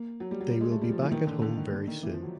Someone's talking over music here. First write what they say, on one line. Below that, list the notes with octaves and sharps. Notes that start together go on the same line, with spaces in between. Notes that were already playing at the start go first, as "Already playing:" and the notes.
They will be back at home very soon.
Already playing: A#3
F#3
G3
F#3
G3
G#3
A3
G3
F3
E3
D#3
D3
D3
D#3
D3
D#3
E3
F3
F#3